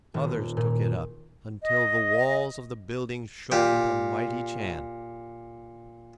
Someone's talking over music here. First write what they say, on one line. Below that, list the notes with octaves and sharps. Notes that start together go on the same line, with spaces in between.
Others took it up, until the walls of the building shook with a mighty chant.
D#1
A#2
D#5
A#2 G4